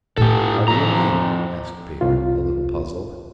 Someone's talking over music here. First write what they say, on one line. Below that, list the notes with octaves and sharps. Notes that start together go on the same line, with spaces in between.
"How do you mean?" asked Peter, a little puzzled.
A2 E4 G4 A4
F2 A#5
C2 F4